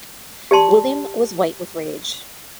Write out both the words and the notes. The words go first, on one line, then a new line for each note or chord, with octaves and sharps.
William was white with rage.
G4 D5 A5 C6